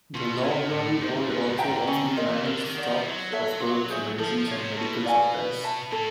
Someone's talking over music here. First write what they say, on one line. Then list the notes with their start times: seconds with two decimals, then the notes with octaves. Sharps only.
The loblolly boy also often managed stocks of herbs, medicines and medical supplies.
0.14 B2 F4
0.43 A#2 A4 C#5
0.72 A2 D4
1.01 G#2 G4 C5
1.29 G#2 B4
1.49 G#2
1.59 E5 G5 A#5
1.68 G#2
1.87 D3 C#4
2.07 D#3
2.17 F4 A#4 D#5
2.26 E3
2.39 C#3
2.45 D3 A#4
2.65 D#3
2.74 D5 F#5
2.84 F3
2.99 G3
3.03 F#3 E4
3.32 A4 C#5 E5
3.60 F4
3.90 G#4 C5 E5
4.19 F3 A4
4.38 F3
4.47 C#5 E5
4.57 C3
4.76 B2 A4
5.05 D5 F5 G#5
5.34 B4
5.63 E5 A5
5.92 A2 A4